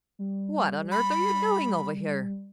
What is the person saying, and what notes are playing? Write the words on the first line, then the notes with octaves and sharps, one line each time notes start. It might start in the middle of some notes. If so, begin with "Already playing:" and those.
"What on earth are you doing over here?"
G3
B5